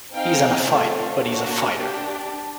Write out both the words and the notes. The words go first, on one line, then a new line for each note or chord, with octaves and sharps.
He's in a fight, but he's a fighter.
C4 D#4 G#4 F5 G5
A3 C4 F4 A4
A#3 D4 F#4
D4 G4